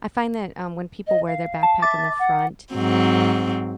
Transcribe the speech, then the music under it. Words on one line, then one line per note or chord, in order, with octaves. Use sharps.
I find that, um, when people wear their backpack in the front,
D#5
F5
A5
E5 D6 A6
F#5
G#2 F#3 C4